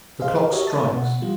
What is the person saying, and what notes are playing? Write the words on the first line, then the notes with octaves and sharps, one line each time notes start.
The clock strikes!
G#4 C5 D#5 F5
F#4 G4 A#4 C#5 D#5 E5
A5 D#6 A6
B2 F#5
E3 G3 F4